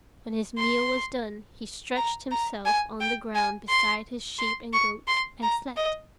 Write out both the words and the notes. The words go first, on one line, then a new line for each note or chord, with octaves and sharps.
When his meal was done, he stretched himself on the ground beside his sheep and goats, and slept.
C6
A#5
A#5
G#5
G5
G#5
C6
C6
C#6
C6
A#5
D#5